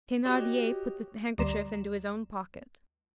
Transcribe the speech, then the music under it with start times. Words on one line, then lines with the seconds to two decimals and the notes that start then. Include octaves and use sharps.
Thenardier put the handkerchief into his own pocket.
0.25 F#4 G4 C#5 D#5
1.38 D2 G3 D5 A#5 C6 E7